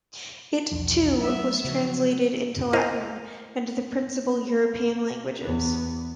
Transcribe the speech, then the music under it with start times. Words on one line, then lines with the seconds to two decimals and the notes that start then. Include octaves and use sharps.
It, too, was translated into Latin and the principal European languages.
0.71 B1 E2 F3
1.19 F#3 G#3 A3 B3 E5
1.65 C#3 F3 F#3
2.73 E4 A#4 C5 D#5 F5
5.43 E2 B3